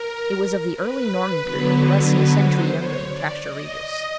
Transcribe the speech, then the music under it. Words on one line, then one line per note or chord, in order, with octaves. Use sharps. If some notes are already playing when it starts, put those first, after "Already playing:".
It was of the early Norman period, less than a century younger than Castra Regis.
Already playing: A#4
B4
D3 F#3 B3
B4
C5
C#5
D5
D#5